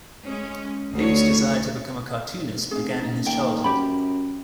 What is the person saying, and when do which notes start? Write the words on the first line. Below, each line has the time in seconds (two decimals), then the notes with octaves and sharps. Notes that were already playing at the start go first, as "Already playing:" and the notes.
Thaves' desire to become a cartoonist began in his childhood.
0.24 G#3 C#4
0.93 D2 C#5
2.71 F1 G#4 F5
2.99 F#1 D#4
3.26 D#2 G5
3.64 F#2 G4 B5